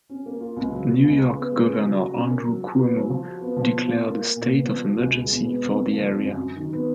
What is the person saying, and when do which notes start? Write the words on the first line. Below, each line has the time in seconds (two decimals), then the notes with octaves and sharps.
New York Governor Andrew Cuomo declared a State of Emergency for the area.
0.09 C#4
0.26 A#3
0.40 F4
0.57 C#2
0.72 F#3
0.89 B2
1.04 C#2
1.19 C#3
1.35 B3
1.51 G#3
1.67 C#3
1.83 F#3
1.99 F#4
2.15 C#4
2.31 A#4
2.47 F#3
2.62 F#4
2.78 B3
2.94 F#3
3.09 F3
3.24 F#4
3.41 B3
3.56 F3
3.72 B2
3.88 F4
4.04 A#3
4.19 A#4
4.36 A#2
4.51 B3
4.67 F3
4.83 F#4
4.98 C#2
5.15 G#3
5.30 B2
5.46 B3
5.62 F2
5.78 A#3
5.93 F3
6.09 F2
6.25 F#2
6.40 F#3
6.56 D#3
6.73 B3